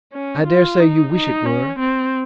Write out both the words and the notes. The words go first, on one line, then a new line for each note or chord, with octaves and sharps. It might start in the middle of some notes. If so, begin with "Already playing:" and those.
"I dare say you wish it were."
C#4
F4
D#4
D#4
C#4
C4